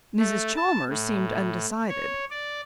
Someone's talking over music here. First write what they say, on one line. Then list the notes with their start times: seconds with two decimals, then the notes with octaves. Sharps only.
Mrs. Chalmers seemed undecided.
0.19 A3
0.56 A5
0.89 A2
1.89 C#5
2.31 D5